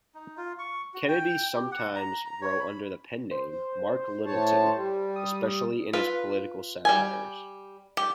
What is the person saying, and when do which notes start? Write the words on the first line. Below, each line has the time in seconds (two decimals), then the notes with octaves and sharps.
Kennedy sometimes wrote under the pen name "Mark Littleton", especially in his political satires.
0.14 D#4
0.37 F4
0.59 C#6
0.94 F#4
1.08 G5
1.56 G4
1.72 F#5
1.96 A#5
2.26 A#5
2.42 C#5
2.60 B5
3.31 C5
4.25 A2 C#5 A5
4.74 G3
5.16 D#6
5.93 F4 B4
6.85 G3 G5 G#5
7.97 G4